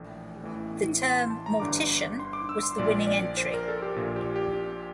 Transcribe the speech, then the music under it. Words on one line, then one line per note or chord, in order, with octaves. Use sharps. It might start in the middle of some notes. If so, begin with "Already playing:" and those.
The term "Mortician" was the winning entry.
Already playing: A#1 A2 E3
A1 A2 E3
C6
A5
A5
A#5
G1 G2 D3 D6
C6
D6
E6
C6
A#1 A#2 D5
D5
C5
A#4
A4
G4
A#1 A#2 F4
G4
G4